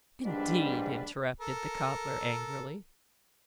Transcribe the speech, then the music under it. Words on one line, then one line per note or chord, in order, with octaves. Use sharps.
'Indeed!' interrupted the cobbler angrily.
A#1 G#2 G3 D4 B4
A4 A#4